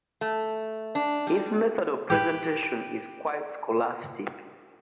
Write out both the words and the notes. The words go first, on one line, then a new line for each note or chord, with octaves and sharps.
His method of presentation is quite scholastic.
A3
D4
G3
G4 B4